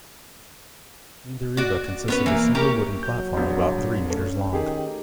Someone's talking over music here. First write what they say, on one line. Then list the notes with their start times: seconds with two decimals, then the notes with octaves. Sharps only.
Mindaribba consists of a single wooden platform about three metres long.
1.57 F#4 D5
2.08 B3 C#4 B4
2.26 E3 A#3
2.55 C#4 G4 A#4
3.03 F#3 G6
3.37 A#1 B3
3.74 G2 A#2
4.10 A3 C#4 A4
4.53 D#3 G4 G#4